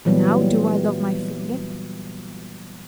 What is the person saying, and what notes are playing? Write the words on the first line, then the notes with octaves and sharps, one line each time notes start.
Now do I love my finger?
A#2 E3 F#3 G3 B3